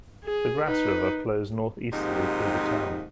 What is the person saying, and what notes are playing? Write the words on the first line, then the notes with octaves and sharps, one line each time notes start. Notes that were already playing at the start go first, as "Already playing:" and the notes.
The Grasse River flows northeasterly through the town.
G#4
D#4 B4
D#2 G#2 C3 F3 D#4